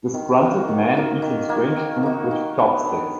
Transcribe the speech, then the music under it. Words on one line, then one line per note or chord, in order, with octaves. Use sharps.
Disgruntled man eating strange food with chopsticks.
D#3
A#3 D#4 F#4
D#3
A#3 D#4 F#4
D#3
A#3 D#4 F#4
D#3
A#3 D#4 F#4
D#3
F#3 B3 D4
D#3